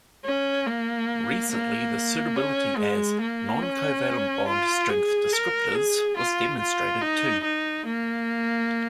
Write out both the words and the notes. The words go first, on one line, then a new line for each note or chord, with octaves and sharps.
Recently, the suitability as non-covalent bond strength descriptors was demonstrated too.
C#4
A#3
A#3
C#4
G#3
A#3
C#4
F4
G#4
A#4
G#4
F4
F4
D#4
D#4
A#3